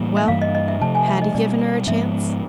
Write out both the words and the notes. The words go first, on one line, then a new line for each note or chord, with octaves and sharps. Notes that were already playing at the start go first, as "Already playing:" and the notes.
Well, had he given her a chance?
Already playing: A2 E3 G3 A#3
E5
G2 E3 G3 A#3 F5
D#5
D#5
E5
C3 F3 A3 A5
G#5
E5
D#5
B2 G3 C4 D5
G#2 F3 G#3 B3 E5